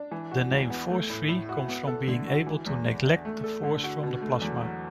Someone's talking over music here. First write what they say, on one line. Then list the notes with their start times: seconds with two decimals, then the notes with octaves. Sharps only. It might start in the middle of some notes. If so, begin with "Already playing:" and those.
The name "force-free" comes from being able to neglect the force from the plasma.
Already playing: D4
0.11 E3
0.31 F#4
0.51 E2
0.70 B3
0.90 A3
1.10 A2
1.29 A2
1.49 F#4
1.68 B3
1.87 A4
2.08 D3
2.27 F#4
2.47 E3
2.66 E2
2.86 E2
3.05 D4
3.25 A3
3.44 A4
3.63 D3
3.83 F#4
4.03 B2
4.22 A3
4.42 E2
4.61 F#3